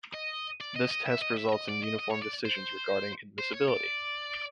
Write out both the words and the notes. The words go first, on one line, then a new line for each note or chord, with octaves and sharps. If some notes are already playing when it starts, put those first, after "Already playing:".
This test results in uniform decisions regarding admissibility.
D#5
D5
D#5
D#5
E5
D#5
E5
E5
D#5
D5
D#5
D#5
C#5
D5
C5
C5
C#5
D5